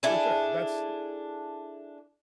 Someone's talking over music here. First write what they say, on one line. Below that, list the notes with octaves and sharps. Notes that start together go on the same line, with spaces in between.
For sure, that's
D4 E4 G#4 A4